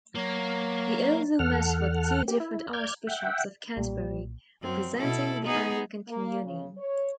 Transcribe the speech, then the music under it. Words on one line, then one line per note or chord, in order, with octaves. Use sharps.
He also met with two different Archbishops of Canterbury representing the Anglican Communion.
F#3 A#3
E2 A4 F#5 F6
A#3 G4
E4
D5 F6 G6 G#6
E5 F#5 G5
B1 A#2 G3
F#2 C4
B2 E4 A4
B3 D#4 G#4
A#3
C#3
C#5